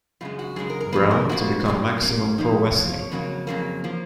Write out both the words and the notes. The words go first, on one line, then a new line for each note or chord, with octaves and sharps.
Brown, to become Maximum Pro Wrestling.
F#2 C#3 G#3 F4
F#4
F#2 C#3 G#3 G#4
A#4
A#4
F2 F3 A#3 B4
A#4
F2 F3 A#3 F#4
A#2 F#3 A#3
A#2 F#3 A#3 C#4
F2 F3 A#3 D#4
F2 F3 A#3 C#5
C#5
C#5
F2 C#3 F#3 A#3 C#5
F2 C#3 F#3 A#3
F3 A#3